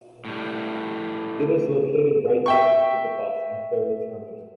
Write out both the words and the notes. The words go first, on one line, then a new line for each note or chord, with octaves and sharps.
It is located right next to the bus and ferry terminals.
A2 G3
E5 G5 C#6